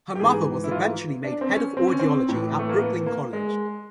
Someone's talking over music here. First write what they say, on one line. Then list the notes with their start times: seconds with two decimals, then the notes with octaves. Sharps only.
Her mother was eventually made Head of Audiology at Brooklyn College.
0.15 G4
0.20 G#2 E3 G#4
0.64 E4
0.71 F4
1.24 D4
1.41 C4
1.50 C#4
1.77 C4
1.87 C#4
1.99 C4
2.28 A2 E3
2.59 A3
2.69 A#3
2.80 B3
3.06 A#3
3.33 G#3